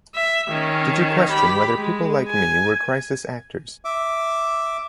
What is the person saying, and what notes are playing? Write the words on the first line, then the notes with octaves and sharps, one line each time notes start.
Did you question whether people like me were crisis actors?
E5
D#3 C#4
G4 B5
G#3
G#5
E5 D6